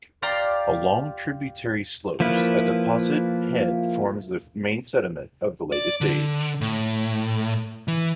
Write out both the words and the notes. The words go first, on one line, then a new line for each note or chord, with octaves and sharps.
Along tributary slopes, a deposit, head, forms the main sediment of latest age.
F4 G4 D5 A#5 C6
F3 A#3 E4 B4
D5
D3
A2
E3